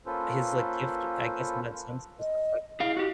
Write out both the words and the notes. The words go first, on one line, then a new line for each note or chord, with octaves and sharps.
his, like, gift I guess in that sense was the fact that he
A#3 C#4 F4 A4 B4 C5
D#5
E4 G#4 F5
F#4 G4